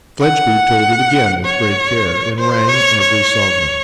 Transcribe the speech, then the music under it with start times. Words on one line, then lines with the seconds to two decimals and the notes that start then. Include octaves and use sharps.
Fledgeby told it again with great care, and rang every sovereign.
0.21 F#5
1.45 C#5
2.38 C5
2.69 C#5
3.01 C#5